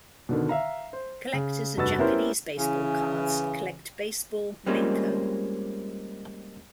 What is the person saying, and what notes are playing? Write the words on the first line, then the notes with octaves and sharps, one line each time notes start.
Collectors of Japanese baseball cards collect baseball menko.
B2 D3 D#3
E5 F5 A#5
C5
C#3
F1 G2 F#4 B4 E6 A6
B3 C#4 E4 G4 A#4 C5
C#3 E3
G3 G#3 A#3 C4 C#4 F4